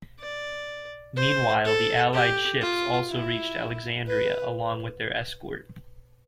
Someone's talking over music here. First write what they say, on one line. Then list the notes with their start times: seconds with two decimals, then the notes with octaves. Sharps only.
Meanwhile, the Allied ships also reached Alexandria along with their escort.
0.20 D5
1.16 C5
1.65 A4
2.13 G4
2.61 F4
3.10 E4
4.07 B4